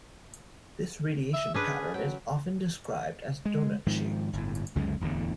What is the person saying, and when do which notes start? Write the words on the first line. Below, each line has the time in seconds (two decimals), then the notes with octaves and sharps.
This radiation pattern is often described as "doughnut shaped".
1.33 E5
1.54 C#4 D4 G#4 B4
1.94 F#3 G5
3.45 G#3
3.87 G#2 D#3 F3
4.33 G1 A2
4.75 C#2 F#2 D3 G#3
5.01 D1 E2 A2 D3